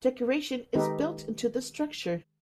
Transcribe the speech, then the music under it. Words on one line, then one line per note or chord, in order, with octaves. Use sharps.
Decoration is built into the structure.
D#3 G#3 D#4 G4 A4 B4